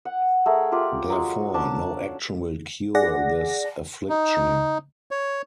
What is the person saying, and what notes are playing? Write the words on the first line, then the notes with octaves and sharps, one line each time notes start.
Therefore, no action will cure this affliction.
F#5
A3 G#4 A#4
F4 G4 A#4 D5
F#3 G#3 C#6
C#4 D4 D5 A5
G#4 D5 F#5 A#6
D#4
C#5